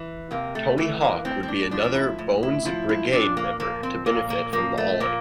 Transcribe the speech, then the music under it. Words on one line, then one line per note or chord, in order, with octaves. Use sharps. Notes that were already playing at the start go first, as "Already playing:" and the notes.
Tony Hawk would be another Bones Brigade member to benefit from the ollie.
Already playing: E3
C3 A#3
A3
E3 A3
A#3
A2 C4
C4
D4
F3 D4
E4
A2
E4
F3 E4
E4
A#2 D4
A#3
F3 A#3
C4
A#2 A#3
A#3
F3 A#3
A3
A#2 A#3